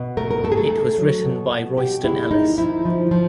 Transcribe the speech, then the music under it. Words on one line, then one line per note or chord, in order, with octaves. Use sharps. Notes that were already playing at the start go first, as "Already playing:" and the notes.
It was written by Royston Ellis.
Already playing: B2
A3 A#4
A#4
A3 A4
G#4
A4
A3
F#3
B2
B3
B2 G4
G#3 E4
A#3 D#4
F3 E4
F3
F3